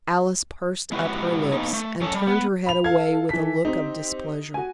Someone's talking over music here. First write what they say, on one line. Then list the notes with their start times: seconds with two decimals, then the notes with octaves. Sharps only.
Alice pursed up her lips, and turned her head away with a look of displeasure.
0.92 G#3 E4 F#4 G4 B4
1.52 A#3 B3 D#4
1.73 A3
2.01 F#2 C#4 A4 C#5 A5
2.14 G3
2.27 B3
2.66 B5 F7
2.84 A4 F5 G#6
3.29 E3 B6
3.65 C4 D#4 G4
4.54 F#4 G#5